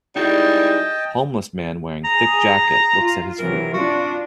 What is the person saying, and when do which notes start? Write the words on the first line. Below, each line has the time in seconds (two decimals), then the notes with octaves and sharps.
Homeless man wearing thick jacket looks at his food.
0.16 G3 D#4 E4 F#4 G#4 D#5 G5 A5
2.04 G#4 A#5
2.98 F4
3.39 C3 E3 F#3 A#4
3.73 D4 F4 F#4